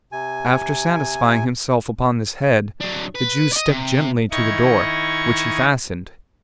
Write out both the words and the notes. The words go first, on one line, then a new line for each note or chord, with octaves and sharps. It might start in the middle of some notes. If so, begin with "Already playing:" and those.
After satisfying himself upon this head, the Jew stepped gently to the door: which he fastened.
C3 G#5
F#3 D4
B4
D5 D#5
C3
D#3 D#4 E4 D#5 C#6 G#6